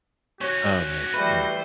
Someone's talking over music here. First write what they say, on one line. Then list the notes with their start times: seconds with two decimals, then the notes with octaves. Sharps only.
Oh, nice. Yeah.
0.41 C#4 F#4 C5 C#5
1.14 E3 G3 A3 B4 C5